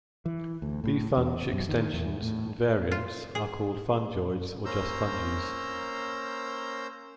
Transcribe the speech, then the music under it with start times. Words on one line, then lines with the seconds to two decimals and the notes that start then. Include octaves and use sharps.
Befunge-extensions and variants are called "Fungeoids" or just "Funges".
0.26 E3
0.62 D2
0.84 A2
1.17 E2
1.53 F#2
1.69 D#3
1.94 E2
2.22 A2
2.91 F4
3.35 G#4
4.65 A#3 C#4 C5 A#5 E6 G6